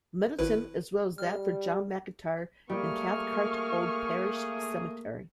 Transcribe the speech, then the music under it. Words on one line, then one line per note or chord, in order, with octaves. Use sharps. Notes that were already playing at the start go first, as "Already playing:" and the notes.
Middleton, as well as that for John McIntyre in Cathcart Old Parish Cemetery.
G#1 E4 B4
G3 F6
G3 A3 A#3 G#4 C#6 F6